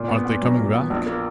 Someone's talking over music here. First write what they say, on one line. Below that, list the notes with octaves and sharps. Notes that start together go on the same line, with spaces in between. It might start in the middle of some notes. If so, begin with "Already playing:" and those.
"Aren't they coming back?"
Already playing: A#2
B3
B3
F#3
A#2
B3
A#1
A#3